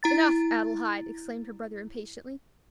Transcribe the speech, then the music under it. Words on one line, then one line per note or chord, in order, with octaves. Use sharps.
"Enough, Adelaide!" exclaimed her brother, impatiently.
E4 A#5 A6